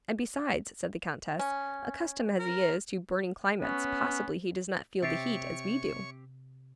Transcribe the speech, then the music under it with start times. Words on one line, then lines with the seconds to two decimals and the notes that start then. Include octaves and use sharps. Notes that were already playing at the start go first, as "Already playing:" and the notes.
"And besides," said the countess, "accustomed as he is to burning climates, possibly he does not feel the heat as we do."
1.39 C#4
2.39 A#4
3.62 B3 C#4
5.02 C3 C4 G4 C#5 E5 C#6 A6 C7